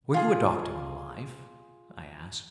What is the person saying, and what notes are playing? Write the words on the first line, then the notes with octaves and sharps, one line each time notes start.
"Were you a doctor when alive?" I asked.
F4 G#4